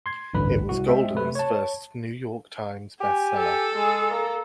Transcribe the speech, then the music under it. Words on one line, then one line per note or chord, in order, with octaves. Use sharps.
It was Golden's first New York Times bestseller.
C6 G#6
A1 D2 G2 B4 B5
C2 F#4
G#3 C4 E5
C3 A3 B4
C#5 A5
G4 G#5
A4
G#3 G#4
A#3 A#5